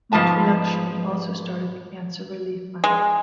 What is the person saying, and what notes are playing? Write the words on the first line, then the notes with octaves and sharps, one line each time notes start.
Muthulakshmi also started the Cancer Relief Fund.
G#2 F3 B3 A5 A#5
G#3